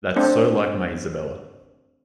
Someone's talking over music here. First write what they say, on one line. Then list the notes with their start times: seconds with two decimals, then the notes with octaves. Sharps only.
That's so like my Isabella!
0.16 A3 C4 D4